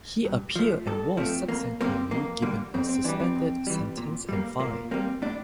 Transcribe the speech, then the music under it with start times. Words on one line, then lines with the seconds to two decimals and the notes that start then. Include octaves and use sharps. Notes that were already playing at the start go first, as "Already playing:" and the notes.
He appealed and was subsequently given a suspended sentence and fine.
0.25 G2
0.56 F3 A3
0.87 G2 A4
1.17 F3 A3 C4
1.48 F2 A#3
1.81 D3 G3 A#3 C4
2.11 F2 A#3
2.42 D3 G3 A#3
2.74 F2 C4
2.89 C4
3.04 E3 G3 D4
3.20 C4
3.35 F2
3.67 E3 G3
3.97 A#2
4.29 G3 A#3
4.60 A#2 A#3
4.91 G3 A#3 C4
5.22 A2 D4